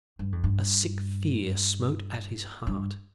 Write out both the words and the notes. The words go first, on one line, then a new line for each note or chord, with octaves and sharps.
A sick fear smote at his heart.
G2
F2
G2
G2